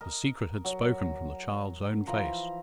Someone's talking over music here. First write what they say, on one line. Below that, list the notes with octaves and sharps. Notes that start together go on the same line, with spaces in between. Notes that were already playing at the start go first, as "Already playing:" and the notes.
The secret had spoken from the child's own face.
A#4 D#5
F#3
E3 F3 A#5